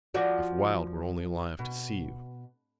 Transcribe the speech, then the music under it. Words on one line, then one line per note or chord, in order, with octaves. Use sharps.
If Wilde were only alive to see you!
F3 F#4 D5
B2